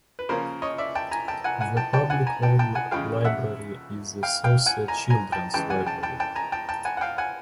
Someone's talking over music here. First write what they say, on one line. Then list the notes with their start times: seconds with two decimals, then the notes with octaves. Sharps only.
The public library is the Saucier Children's Library.
0.19 B4
0.29 C#3 F3 A#3 C#4 F4 A#4 C5
0.62 C#5 D#5
0.78 D5 E5
0.95 G5 A5
1.11 G#5 A#5
1.28 G5 A5
1.44 F#5 G#5
1.61 F#5 G#5
1.77 G5 A5
1.93 G5 A5
2.10 F#5 G#5
2.27 G#5 A#5
2.42 G5 A5
2.59 G5 A5
2.75 F#5 G#5
2.91 E2 C#3 F3 G#3 F5 G5
3.24 E5 F#5
4.23 F5 G5
4.44 F5 G5
4.66 F#5 G#5
4.88 G#5 A#5
5.10 G#5 A#5
5.32 G5 A5
5.54 C#3 E3 G#3 G5 A5
5.70 F#5 G#5
5.86 G5 A5
6.03 G5 A5
6.20 G5 A5
6.35 G#5 A#5
6.52 G5 A5
6.69 G5 A5
6.85 F#5 G#5
6.97 F#5
7.01 F5 G5
7.18 F#5 G#5